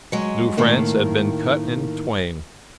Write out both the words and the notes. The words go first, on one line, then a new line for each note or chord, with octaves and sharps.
New France had been cut in twain.
F#3 G#3
A2 D#3 A#3